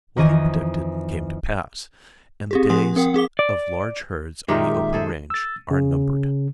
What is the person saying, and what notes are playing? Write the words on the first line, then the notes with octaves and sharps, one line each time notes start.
What he predicted came to pass, and the days of large herds on the open range are numbered.
F2 D#3 E3 D#5 G#5
C4 G4 G#4
F3 F#5 C6 D#6
C4 A#4 F#5 G5
C4 G#4 D6 G7
D5
A#2 D#3 G#3 D#4 G4 E5
G#4 A4 C5
E6 A6
C#3